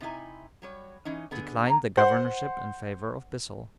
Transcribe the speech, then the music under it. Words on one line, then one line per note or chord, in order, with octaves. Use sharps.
Declined the governorship in favor of Bissell.
C3 D#4 E4 G#5
F#3 G3 C#5
E3 C#4 D#4
D3 B3 G#4
A#3 A#5
C5 F#5 C6